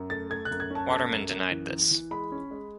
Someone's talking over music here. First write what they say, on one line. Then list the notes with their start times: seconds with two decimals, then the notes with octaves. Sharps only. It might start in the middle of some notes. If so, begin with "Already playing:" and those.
Waterman denied this.
Already playing: F#2
0.10 A3 A6
0.30 A3 G#6
0.45 F#6
0.51 F#2
0.60 G#6
0.70 C#4 A5
0.90 A3 A5
1.11 F#2
1.31 F#2
1.51 E3
1.71 E3
1.91 E3
2.11 G#3 B5
2.32 C#4
2.51 G#3